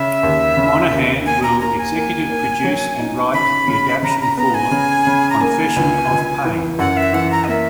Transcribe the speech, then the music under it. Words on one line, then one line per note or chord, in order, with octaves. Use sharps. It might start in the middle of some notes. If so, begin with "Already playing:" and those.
Monahan will executive produce and write the adaptation for "Confession of Pain".
Already playing: C#3 E5
D#2
C#3
D#2
A#3 G#5
A#5
A#3 A#5
G#5
A#3
A#3
F#3
D#4
C#3 B5
C#3
C#3 A#5
A#5
B3 A#5
G#5
C#3
C#3
A#5
A#3 G#5
C#2
C#2
E3
F#2 F#5
E5
E3 F#5
A#5
D#5
A#3 E5